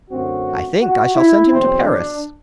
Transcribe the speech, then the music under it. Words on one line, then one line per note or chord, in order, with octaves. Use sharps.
"I think I shall send him to Paris."
F#2 D3 A3 C4 F#4
F#4
E4
E2 B2 F#3 C4
D4